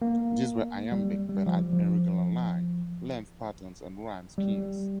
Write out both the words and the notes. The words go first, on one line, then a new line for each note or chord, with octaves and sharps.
These were iambic, but had irregular line length patterns and rhyme schemes.
A#3
G3
G3
F3
F3
G3